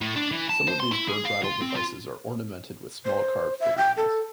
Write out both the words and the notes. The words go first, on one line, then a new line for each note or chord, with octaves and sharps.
Some of these bird-rattle devices are ornamented with small carved figurines.
A2
D4
E3
A5
C5
C6
E4
G#4
F5
F4
C4
F4
C5
E5
G5
A4